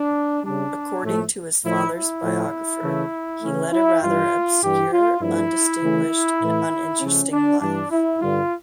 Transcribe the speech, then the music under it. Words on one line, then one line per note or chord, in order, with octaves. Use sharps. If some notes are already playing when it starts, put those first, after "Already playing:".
According to his father's biographer, he led a rather "obscure, undistinguished and uninteresting life".
Already playing: D4
C#3 G3 D4
A2 F3 A3
A2 F3 A3 E4
E4
A2 F3 A3
C#3 E3 A3
C#3 E3 A3 C#4
E4
G2 E3 G3 F4
G2 E3 G3 G4
F4
G2 F3 A3 E4
C#3 E3 A3
A2 E3 A3
C#3 F3 A3 C#4
D4
G2 E3 G3 D4
E4
G2 D3 G3 F4